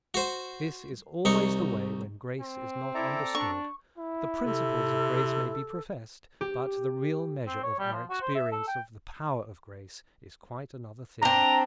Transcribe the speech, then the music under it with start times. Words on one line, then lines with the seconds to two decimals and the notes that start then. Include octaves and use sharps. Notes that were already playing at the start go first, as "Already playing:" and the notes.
This is always the way when grace is not understood: the principles of grace may be professed, but the real measure of our experience of the power of grace is quite another thing.
0.14 F#4 C5
1.25 C2 D#4 C#6
2.40 C4
2.95 E4 A4 D5 A#5
3.35 D4 C#6
3.98 E4
4.44 C3 A4
6.41 G4
7.47 C4
7.63 C#5
7.79 G3
7.93 F3
8.10 F#4
8.21 C5
8.35 E5
8.52 A4
8.68 G5
11.23 C4 D4 A#5